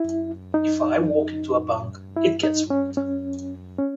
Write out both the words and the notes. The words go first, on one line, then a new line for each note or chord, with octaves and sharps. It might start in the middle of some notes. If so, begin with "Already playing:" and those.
If I walk into a bank, it gets robbed.
Already playing: E4
D#4
E4
D#4
C#4
C#4
C#4